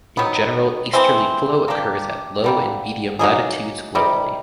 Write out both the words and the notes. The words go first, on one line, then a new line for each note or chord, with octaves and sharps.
In general, easterly flow occurs at low and medium latitudes globally.
D#3 F#3 B3
E3 G#3 C4
A#3 D4 G4
D3 G3 A#3
F#3 A#3 D#4 G#4
C3 D#3 G3